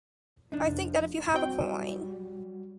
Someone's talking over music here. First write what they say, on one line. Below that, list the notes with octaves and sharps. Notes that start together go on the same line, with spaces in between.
I think that if you have a coin.
F1 F3 D4 D#4
F#3 G3 C4 F#4 G5